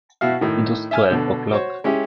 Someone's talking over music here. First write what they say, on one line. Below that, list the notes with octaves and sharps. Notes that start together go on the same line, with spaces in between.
It was twelve o'clock.
B2 E4 F#4 F5
A2 D#3
E5 G#5 F6
B2 D3
F#4 C5 C#5
G#3 C#4 E4 G4